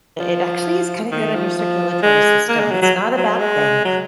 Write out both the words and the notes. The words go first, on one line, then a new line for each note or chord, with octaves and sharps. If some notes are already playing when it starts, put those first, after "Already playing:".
it actually is kinda good on your circulatory system. It's not a bad thing,
F3
D#3
F3
F3
G#3
A#3
G#3
F#3
F#3
F#3
G#3
F#3